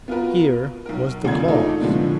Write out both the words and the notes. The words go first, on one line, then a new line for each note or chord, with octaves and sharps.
Here was the clause.
B3 F4 F#4 A#4 B4
B1 A#4
A1 D2 A#2 G#4 G#6
A3 D#4 F4 A4 D5 D#5
A2 D3 F3 G#3 A#3 B3